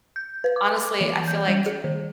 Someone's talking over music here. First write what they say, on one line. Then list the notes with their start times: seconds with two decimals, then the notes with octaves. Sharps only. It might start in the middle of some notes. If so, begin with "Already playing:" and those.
honestly, I feel like k
0.16 G6
0.44 B4
0.56 D6
1.01 E3
1.28 G6
1.48 G3
1.66 G#4
1.84 D#3